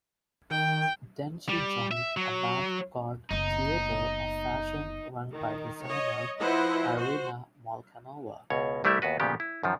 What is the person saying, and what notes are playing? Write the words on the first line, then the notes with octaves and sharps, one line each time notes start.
Then she joined Avant-garde Theatre of fashion run by designer Irina Molchanova.
D#3 G5
G3
E5
F#3
F#1 B3 D#4
D#3
C#5 D#5
F3 E4 B4 C5 D#5 F#5
F#4 C5
C#2 B2 C#5
C2 G3 A3 E4 G4 E5
D#2 B3 F#4 B4
D2 A#2 C#3 F3 B3 G4
E4
F#2 D#3 F3